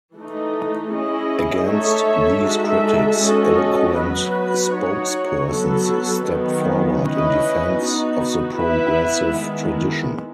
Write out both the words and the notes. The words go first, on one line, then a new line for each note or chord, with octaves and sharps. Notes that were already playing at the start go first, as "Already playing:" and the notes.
Against these critics eloquent spokespersons stepped forward in defense of the progressive tradition.
E3 A3 D#4
C#4 E4 G#4 D#5
A3 D#4 A4 C#5 E5
G#3 D#4 F#4 A4 E5
G#3 C#4 F#4 A4 D#5
F#3 B3 F#4 B4
D#4 F#4 C#5
F#3 B3 F#4 A4
D#3 F#3 B3
C#4 E4 B4 D#5
B3 D#4 F#4
B3 E4 B4 E5
D#3 G#3 B3 E4